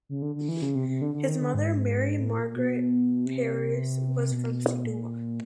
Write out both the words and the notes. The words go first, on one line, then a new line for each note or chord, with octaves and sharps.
His mother Mary Margaret Peiris was from Seeduwa.
C#3
D3
D3
E3
C#3
C3
C3
D3
D3
D#3
D3
G#2
A2
A#2
B2
C3
B2
A#2